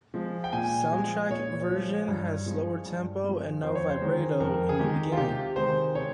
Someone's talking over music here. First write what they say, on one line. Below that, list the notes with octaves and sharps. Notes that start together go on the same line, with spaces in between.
Soundtrack version has slower tempo and no vibrato in the beginning.
F3 G#3
G5
A#2 G#5
F3 G#3
A#2 C#5
F3 G#3
G2
F3 G#3
G2
F3 G#3
F2 C5
C#5
C5
D#3 G#3
F2 A#4
G#4
D#3 G#3 G4
F4
C3 G4
D#3 G#3 C5
C3 C#5